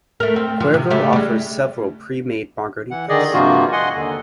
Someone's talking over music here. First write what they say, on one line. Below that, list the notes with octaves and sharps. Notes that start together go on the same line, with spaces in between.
Cuervo offers several pre-made margaritas.
A3 A#4
C4
F3
C3
C#3 A3 G4
G3 G#3
E3 F#5
D3 D#3 G#4 D5 D#5
G2 C3 F3 A#3 F4 F#4
D#5 F#5 G#5 C6
D#2 D3